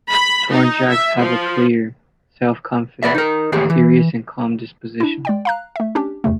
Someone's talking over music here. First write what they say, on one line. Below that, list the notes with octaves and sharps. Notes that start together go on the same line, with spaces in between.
Tornjaks have a clear, self-confident, serious and calm disposition.
B5
D#4
E5
F3
B4 D5 E5
D#4 A#4
D#2 A2 E3 G4 G#4
E3
D4 E4
G#3 D5 G5
F5 A#5 F#6
A3 E5
C#4 D4 G4
E2 G2 C3 A3